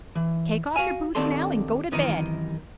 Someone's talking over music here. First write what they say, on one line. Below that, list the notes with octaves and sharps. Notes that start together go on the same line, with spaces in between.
Take off your boots now and go to bed.
E3
F#4 F5 G#5
D#2 D#3 C4 D4 A4 C6
F#2 C3 D#3 E3 D#4